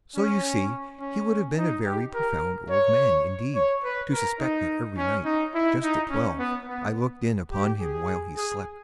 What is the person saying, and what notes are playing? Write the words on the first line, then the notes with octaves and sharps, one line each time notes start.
So you see he would have been a very profound old man, indeed, to suspect that every night, just at twelve, I looked in upon him while he slept.
C#4
C#4
D#4
G4
A#4
C#5
C#5
B4
A#4
D#4
C#4
D#4
E4
D#4
C#4
B3
B3
G4
G#4
G#4